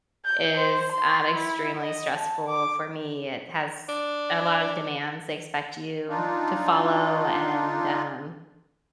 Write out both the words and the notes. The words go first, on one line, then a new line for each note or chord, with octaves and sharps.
is, um, extremely stressful for me, it has a lot of demands they expect you to follow, and, um,
G6
C5
C6
E4
D#5
A5
D6
D4
D4 D#4 F4